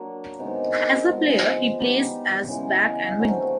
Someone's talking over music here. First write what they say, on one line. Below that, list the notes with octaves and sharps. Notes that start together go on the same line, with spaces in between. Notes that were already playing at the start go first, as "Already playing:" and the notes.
As a player, he plays as back and winger.
Already playing: F#3 A#3 D4
C3 D#3 G#3 B3
F3 G#3 B3
G3 B3 D#4 G4
C#3 E3 G#3
D3 F#3 A3 C4